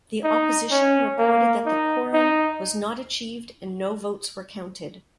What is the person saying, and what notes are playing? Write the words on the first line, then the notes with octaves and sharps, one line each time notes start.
The opposition reported that quorum was not achieved and no votes were counted.
D#4
C#4
A#3
D#4
D#4